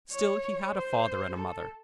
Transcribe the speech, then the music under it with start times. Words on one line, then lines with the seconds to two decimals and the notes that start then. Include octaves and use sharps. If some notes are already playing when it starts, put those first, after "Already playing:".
Still, he had a father and a mother.
0.12 C#5
0.74 C5
1.35 A4